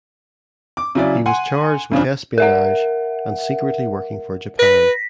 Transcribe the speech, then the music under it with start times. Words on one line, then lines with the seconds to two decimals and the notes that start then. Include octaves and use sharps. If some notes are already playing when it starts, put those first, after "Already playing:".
He was charged with espionage and secretly working for Japan.
0.77 D6
0.95 C#3 F#3 E4 D5
1.26 F#5 G#5 C6
1.92 G2 C#3 F3 D4
2.38 A#4 E5 F#5
4.59 B4 A#6 B6